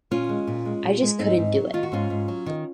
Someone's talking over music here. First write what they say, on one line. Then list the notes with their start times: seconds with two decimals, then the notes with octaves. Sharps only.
I just couldn't do it.
0.11 A#2 C#4 F4
0.29 G#3
0.47 A#2
0.65 G#3
0.83 A#2
1.02 G#3
1.19 G#2 C4 D#4
1.38 G#2
1.55 F#3
1.73 D#3 F4
1.83 F#4
1.92 G#2 C#4 F4
2.10 G#2
2.28 F#3
2.46 D#3